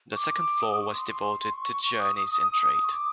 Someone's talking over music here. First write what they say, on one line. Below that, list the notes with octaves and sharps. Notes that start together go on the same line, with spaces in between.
The second floor was devoted to journeys and trade.
C#6
D6
D#6
C#6
C6
C6
C#6
D#6
C#6
D6